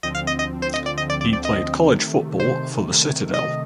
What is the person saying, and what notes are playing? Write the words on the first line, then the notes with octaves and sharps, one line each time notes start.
He played college football for The Citadel.
D2 D3 F3 C4 D#5
F5
D#5
D#5
C5
D#5
D5
D#5
D5
D5
D5
D#5
C3 D#3 A3
C5
D#5